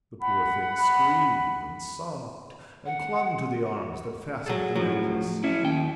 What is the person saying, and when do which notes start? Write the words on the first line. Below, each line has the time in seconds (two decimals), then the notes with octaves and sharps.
The poor thing screamed and sobbed, and clung to the arms that fastened the necklace.
0.22 F#5 B5
2.86 F#5
4.46 F#3 G#4 A4
4.76 A2 F3 F#3
5.44 C#4 E4
5.63 D#2 G5